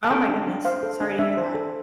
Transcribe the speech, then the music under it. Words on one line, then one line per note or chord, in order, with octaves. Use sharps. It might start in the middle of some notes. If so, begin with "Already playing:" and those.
Oh my goodness. Sorry to hear that.
A5
A4 G5
D4
D4
C5 F5
A4
D4
D4 E5
C5
A4